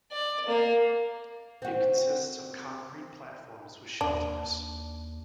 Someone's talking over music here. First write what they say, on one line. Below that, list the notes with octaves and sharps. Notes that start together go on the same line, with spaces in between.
It consists of concrete platforms with shelters.
D5
A#3
C4 F#4
D#2 D4